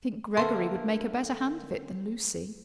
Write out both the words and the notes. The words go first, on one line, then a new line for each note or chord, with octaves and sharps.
"I think Gregory would make a better hand of it than Lucy."
D3 A#3 B3 A4 E5 C6